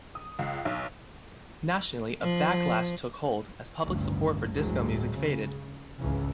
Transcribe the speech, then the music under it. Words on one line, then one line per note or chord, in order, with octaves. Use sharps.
Nationally, a "backlash" took hold, as public support for disco music faded.
D#6
C#2
B1
F3
A1 D2 G2
G1 D2 A2 F#3 G#3
C#3
G#1 C#2 C#3 E3